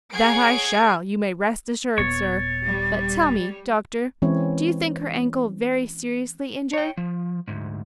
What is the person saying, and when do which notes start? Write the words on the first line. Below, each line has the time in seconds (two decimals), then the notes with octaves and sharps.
"That I shall, you may rest assured, sir; but tell me doctor, do you think her ankle very seriously injured?"
0.12 G#4 C#5 F#5 G#6 C7 D7
1.98 D#1 A#2 B3 C#5 A6
2.66 G3
4.22 E3 G#3 C4 C#4 E4 C#5
6.73 C#5 G5
6.97 F3
7.48 D2 G#2